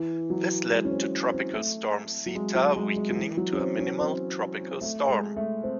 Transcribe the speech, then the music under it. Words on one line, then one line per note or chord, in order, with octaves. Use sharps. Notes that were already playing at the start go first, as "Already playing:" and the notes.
This led to Tropical Storm Zeta weakening to a minimal tropical storm.
Already playing: E3
F#3
G#3
C#4
C4
C4
A3
F#3
G#3
F#3
G#3
G#3
F#3
E3
F#3
C#4
C4
C#4
C4
A3
G#3
A3
C4